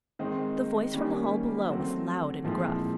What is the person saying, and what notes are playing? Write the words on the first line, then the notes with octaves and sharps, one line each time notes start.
The voice from the hall below was loud and gruff.
D#3 G#3 C4 D#4
D#3 G3 A#3 C#4
F#3 A3 C4
A#2 F3 G#3 C4 E4